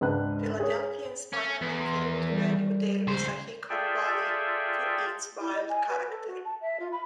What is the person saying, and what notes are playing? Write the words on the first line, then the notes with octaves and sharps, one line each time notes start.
Philadelphians finally came to value their Wissahickon valley for its wild character.
C#2 G#2 D4 B4 F#6
G#4 C#5
C#4
E2
C6
A#4
G3
C#2 C5
F4 G#4 A4 D5 E5 G5
E4
D#5
G#5
B4
A4
F#4
A5
E5
F4
B5